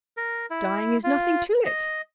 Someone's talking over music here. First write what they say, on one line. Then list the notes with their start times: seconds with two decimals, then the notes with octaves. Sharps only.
Dying is nothing to it.
0.17 A#4
0.50 E4
1.04 F4
1.66 D#5